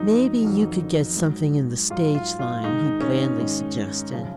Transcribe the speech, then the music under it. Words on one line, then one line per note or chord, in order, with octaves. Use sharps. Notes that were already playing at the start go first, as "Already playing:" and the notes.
"Maybe you could get something in the stage line?" he blandly suggested.
Already playing: F2 D#3 F#3 D#4
F2 D#3 F#3
G#2 F#3
G#2 F#3 F4
F4
F4
G#2 D#3 G#3 D#4
C#4
G#2 D#3 G#3
F#2 C#3 F3 G#3